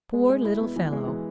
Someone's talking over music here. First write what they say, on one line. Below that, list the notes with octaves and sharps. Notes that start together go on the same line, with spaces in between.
Poor little fellow!
G#3
G#3
E4
B3
E3
G#3
E3